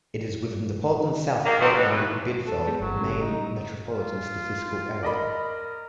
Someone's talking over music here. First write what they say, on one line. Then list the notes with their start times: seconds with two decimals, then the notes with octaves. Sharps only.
It is within the Portland-South Portland-Biddeford, Maine, metropolitan statistical area.
1.44 D#3 A#3
1.61 G2 F3 F#3 C4
1.73 B2
1.89 D#2 A2 E3
2.47 A4
2.67 G#3 B3
2.81 G1 F#3
2.97 C#3 G3
3.21 D#4
3.86 F4
5.03 A#4 D5 D#5 B5